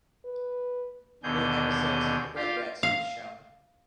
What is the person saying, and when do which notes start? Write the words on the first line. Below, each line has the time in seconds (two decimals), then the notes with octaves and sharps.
New episodes of the "Rugrats" were shown.
0.25 B4
1.23 D#2 B2 D3 G#4 G6
2.36 F4 G4 F5
2.83 F5